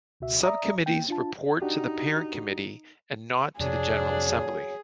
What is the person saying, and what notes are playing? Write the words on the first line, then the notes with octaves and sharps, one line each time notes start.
Subcommittees report to the parent committee and not to the general assembly.
C#2 B2 F#4 E5
D5 E5 A#5 D#6
A#3 G5
D4 F4 A5
D4 D#4 F#4 G4
F2 C3 F#3 D4 G#4